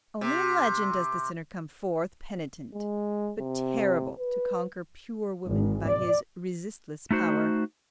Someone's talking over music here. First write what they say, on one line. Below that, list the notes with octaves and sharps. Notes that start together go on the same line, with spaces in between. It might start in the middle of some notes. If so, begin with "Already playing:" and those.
Only in legend does the sinner come forth penitent, but terrible, to conquer pure woman by his resistless power.
C3
G#3
C3
B4
G#1
D5
A3 D#4 F#4 C5